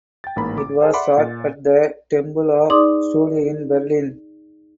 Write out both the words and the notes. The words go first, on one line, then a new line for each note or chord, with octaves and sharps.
It was shot at the Tempelhof Studios in Berlin.
G5 A6
A1 G#2 A#3 A#5 B5
D6
G#4 A4 C5 F5
D5 E5 F#5 B5 C6 D6
A#2 A6
D#4 G#4 D5 C6 D6 D#6